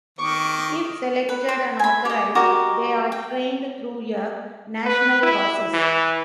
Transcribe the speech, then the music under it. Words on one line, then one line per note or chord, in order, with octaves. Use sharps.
If selected and authorized, they are trained through a national process.
D#3 C#6 D6
B4
C5
G#5 B5
G4 D#5
F#4 G4 A#4 D#5
G5
B4
E4
E3